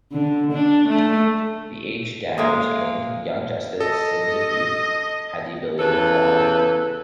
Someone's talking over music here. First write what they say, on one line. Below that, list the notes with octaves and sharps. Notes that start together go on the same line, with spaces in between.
The aged Damage in "Young Justice: Sins of Youth" had the ability to fly.
D3
D4
A3
G#3 A#3 A4 E5 F5 D#6
A4 D#5
E2 C#3 A4 B4